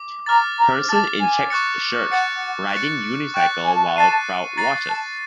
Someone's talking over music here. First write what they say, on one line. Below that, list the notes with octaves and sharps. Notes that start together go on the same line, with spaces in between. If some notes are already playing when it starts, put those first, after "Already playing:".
Person in checked shirt riding unicycle while crowd watches.
Already playing: D6
A#5 D6 F6 A6
A#5
A5 D6 F6 A6
G#5
C#6 F#6 A6 C#7
F#5 C#6 F#6 A6 C#7
C#6 F#6 A6 C#7
G5 C#6 F#6 A6 C#7
G#5
A5
G#5
A5 A6 C7 D#7
A#5 A6 C7 D#7
A5